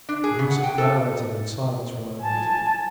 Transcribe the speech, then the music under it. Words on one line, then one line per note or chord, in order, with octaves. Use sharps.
Cahusac glowered at him in silence for a moment.
D4
G#4
C#3
F#5
G5
A4
G#5 A5